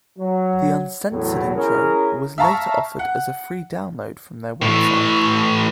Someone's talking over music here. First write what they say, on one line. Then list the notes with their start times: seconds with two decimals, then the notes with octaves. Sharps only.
The uncensored intro was later offered as a free download from their website.
0.18 F#3
1.11 E2 A2 F#3
1.55 C#4 E4 G#4 A#4
2.38 E5 F5 A5 A#5 C#6
2.99 F#5
4.62 A2 E3 C#6